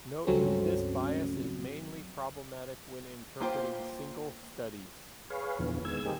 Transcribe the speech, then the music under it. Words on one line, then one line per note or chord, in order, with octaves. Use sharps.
Note that this bias is mainly problematic when interpreting single studies.
C#2 G2 F#3 A3 C4 C#4
A#3 F4 G4 C5
G#4 B4 C#5 F5
E2 A#2 D3 E3 F3 B3
D#3 G#3 B3 E6 G#6
G3 A#3 C4 D#4 G4 G#4